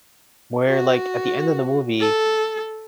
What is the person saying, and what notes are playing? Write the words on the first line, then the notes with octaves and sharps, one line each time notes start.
Where, like, at the end of the movie
F#4
A4